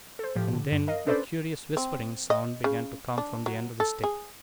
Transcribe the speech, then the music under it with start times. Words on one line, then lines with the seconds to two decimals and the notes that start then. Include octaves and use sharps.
And then, a curious whispering sound began to come from the end of the stick.
0.19 A4 C5
0.36 A2 F3 G4
0.53 D3
0.72 G2
0.87 A#4 D#5 F5
1.06 C#4 D4 A4 B4 C5 D5
1.77 C4
2.30 D#5
2.64 C#3
3.18 D4
3.46 F#3
3.80 A4
4.04 G#4